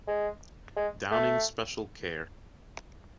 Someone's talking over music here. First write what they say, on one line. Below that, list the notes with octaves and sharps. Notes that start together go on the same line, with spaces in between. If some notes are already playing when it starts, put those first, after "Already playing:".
Downing's special care.
G#3
G#3
A3